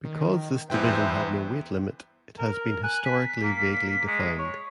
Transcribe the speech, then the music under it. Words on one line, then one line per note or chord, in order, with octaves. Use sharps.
Because this division had no weight limit, it has been historically vaguely defined.
D#3
E2 G2 E4 B4 C5 E5 G5
A#4
G#5 F#6
B6
A#3
G#3
C#5